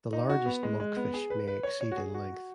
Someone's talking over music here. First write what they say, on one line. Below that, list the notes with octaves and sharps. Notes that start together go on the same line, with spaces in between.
The largest monkfish may exceed in length.
D#4
F#4
B3
G#3
G#3
B3
G#4
B4
B4
C#5
C#5
F#4
G#4
F#4